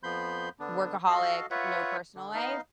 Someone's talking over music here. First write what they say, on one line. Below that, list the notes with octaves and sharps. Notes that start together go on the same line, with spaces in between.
workaholic, no personal life?"
F2 F3 B3 B5 C6 G6
D3 B3 D4
F#4 A4 D#5 F5
F4 B4 C#5 E5 F#5
D3
B3 D#4 D#5 F5